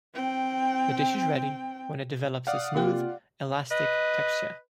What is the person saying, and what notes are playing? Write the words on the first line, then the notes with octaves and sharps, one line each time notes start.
The dish is ready when it develops a smooth, elastic texture.
C4 G5
D5 F5 F#5 D#6
C3 A#3 F4 G4
B4 D#5